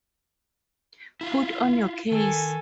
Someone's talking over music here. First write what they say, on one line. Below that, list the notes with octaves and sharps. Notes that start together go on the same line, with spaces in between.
Put on your case.
E4 F4
D#3 A4 G#5